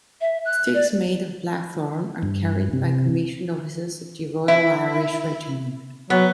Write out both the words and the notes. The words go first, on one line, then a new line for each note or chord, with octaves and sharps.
Sticks made of Blackthorn are carried by commissioned officers of the Royal Irish Regiment.
E5
F#6
D5
G2
C3
E4
F#3 B3